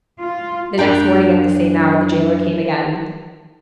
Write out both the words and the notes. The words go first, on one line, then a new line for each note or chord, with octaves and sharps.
The next morning at the same hour, the jailer came again.
F4
F#2 D4 G5 A#5